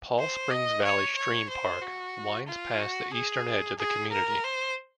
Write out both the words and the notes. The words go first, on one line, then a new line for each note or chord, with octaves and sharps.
Paul Springs Valley Stream Park winds past the eastern edge of the community.
C5
D#5
C#5
C#5
C5
F#4
F4
F#4
G#4
G#4
A#4
C5